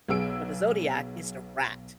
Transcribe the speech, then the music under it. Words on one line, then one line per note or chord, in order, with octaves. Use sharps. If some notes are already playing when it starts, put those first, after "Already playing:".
for the zodiac is the rat.
B1 B3 G#4 E6 D7